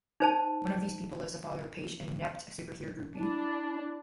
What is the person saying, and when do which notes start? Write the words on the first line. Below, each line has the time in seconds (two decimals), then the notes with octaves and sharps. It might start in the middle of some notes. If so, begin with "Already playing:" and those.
One of these people is the father of Page, an inept superhero groupie.
0.20 D#4 C5 A5
3.17 D4 E4